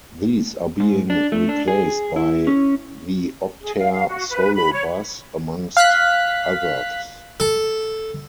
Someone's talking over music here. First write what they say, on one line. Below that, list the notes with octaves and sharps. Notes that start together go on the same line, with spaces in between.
These are being replaced by the Optare Solo bus, amongst others.
G#2
D4
A3
D4
G#4
E4
C#4
G#4
F5
F5
F#4
B4
B5
C#5
F5 F#6 B6
A4